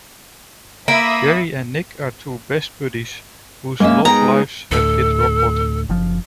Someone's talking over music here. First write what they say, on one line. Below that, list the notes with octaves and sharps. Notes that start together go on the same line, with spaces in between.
Jerry and Nick are two best buddies whose love lives have hit rock bottom.
A#3 E5 B5 D#6
G#3 A#3 C#4 E5
G#3 B3 D#4 G5 A#5
D2 A2 A4
F#1 F3